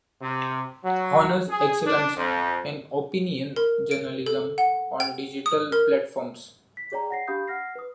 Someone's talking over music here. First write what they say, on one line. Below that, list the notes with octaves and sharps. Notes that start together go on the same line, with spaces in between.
Honors excellence in opinion journalism on digital platforms.
C3
F#3
G#4
D4
F2
A#4
D7
A4
F#5
G5
D#6
A#4
B6
G#4 C#5 D5 G5 A#5
F#5 A#6 C7
D4 G4 F5 B5 D#6 G6
F#5 F6 A#6 C7
B4 D#6